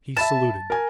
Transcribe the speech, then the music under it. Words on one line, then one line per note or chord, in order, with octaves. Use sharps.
He saluted.
E5 A5 B5 A6
A#4 G#5